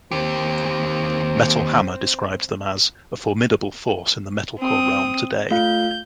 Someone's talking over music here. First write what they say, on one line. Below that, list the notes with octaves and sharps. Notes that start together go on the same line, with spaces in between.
Metal Hammer described them as "a formidable force in the metalcore realm today".
D#2 C4 G4
C4 D#6
A3 F4 F5 G6